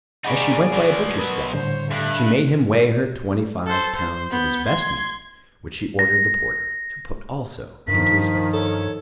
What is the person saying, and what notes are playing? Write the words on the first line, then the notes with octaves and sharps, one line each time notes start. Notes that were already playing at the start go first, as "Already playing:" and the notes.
As she went by a butcher's stall, she made him weigh her twenty five pounds of his best meat, which she ordered the porter to put also into his basket.
G3 D#4 G#4 D5 F#5 B5 C#6
B2 F#3
A#4 B4 D#6
A2 D3 G3 C5 C#5
G2 A3 F#6
A4 C5
C5
B3 G6
C6 G#6
A#6
G2 D#3 F3 B6
A4 C#5